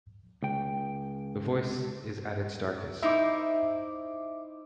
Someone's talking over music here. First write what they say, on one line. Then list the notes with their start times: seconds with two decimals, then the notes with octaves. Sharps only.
The voice is at its darkest.
0.43 C#2 G5
3.02 D#4 E4 C5 E5 D6